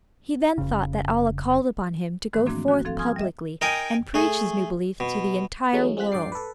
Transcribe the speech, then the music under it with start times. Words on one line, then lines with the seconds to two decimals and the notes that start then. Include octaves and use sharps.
He then thought that Allah called upon him to go forth publicly and preach his new belief to the entire world.
0.58 F1 C#3
2.33 G#2 D#3 E3 A3
2.46 F3 A#3 C4 D4 F#4
2.68 F#4
2.85 F3 C4 A4 F5
2.99 G#5 C6 D#6 F6 G#6
3.16 G3 D#5 E5
3.61 D#4 A#4 D#5 G5 G#5 A#5
4.14 A3 G#4
5.00 B2
5.73 E3 F#3 G#3 A3 C#4 D#4
5.97 G#3 C4 F4 F#6 B6
6.12 G2 D5 G5 D6 C7
6.32 A4 B4